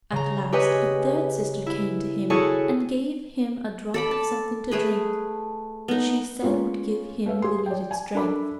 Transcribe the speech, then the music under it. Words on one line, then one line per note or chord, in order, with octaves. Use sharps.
At last a third sister came to him and gave him a drop of something to drink, which she said would give him the needful strength.
C#3 A#5
G4 B4 C#5 D#5 G#5
E4
E4 F#4 G#4 A4 C#5 G#5
A4 D5 B5
A5
A3 G#4 B4
B3 D#4
G#3 A#3 B3 C#4 F4 A#4
A3 B4 E5 F5
G4 G#4 C6
D5 G5
G#5
D4 A4 A#4 E5 B5 D6